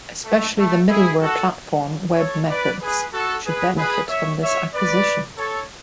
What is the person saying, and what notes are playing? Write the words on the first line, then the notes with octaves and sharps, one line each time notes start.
Especially the middleware platform WebMethods should benefit from this acquisition.
A3
A3
E4 G#4
F#4 A4
A4 C#5
B4 D5
G#4 B4
F#4 A4
G#4 B4
G#4 B4
C#5 E5
C#5 E5
B4 D5
A4 C#5